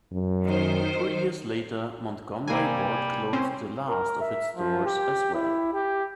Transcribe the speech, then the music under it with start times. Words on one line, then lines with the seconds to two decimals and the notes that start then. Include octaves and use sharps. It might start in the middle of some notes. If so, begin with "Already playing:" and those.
Three years later, Montgomery Ward closed the last of its stores as well.
0.12 F#2
0.44 D#3 C5
2.48 C3 G3 A#3 C4 G#5
3.33 C4 C#4 C5
3.88 A#4
4.21 E5
4.57 F3
4.86 G4
5.34 E4
5.74 G4